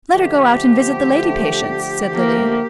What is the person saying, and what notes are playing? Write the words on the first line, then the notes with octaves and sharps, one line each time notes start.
"Let her go out and visit the lady patients," said Lily.
D3 F3 A3 G4
A#3